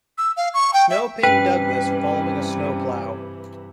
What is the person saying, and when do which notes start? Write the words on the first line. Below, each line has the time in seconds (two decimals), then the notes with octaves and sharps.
Snow pinned Douglas following a "Snow Plow".
0.18 E6
0.37 F5
0.54 C#6
0.74 G5
0.90 E5
1.23 G2 C3 E3 C#4 B4 G5